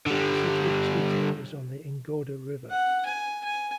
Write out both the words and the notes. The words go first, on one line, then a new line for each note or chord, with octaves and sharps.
The city of Chita is on the Ingoda River.
D3 G3
F#5
G#5
G#5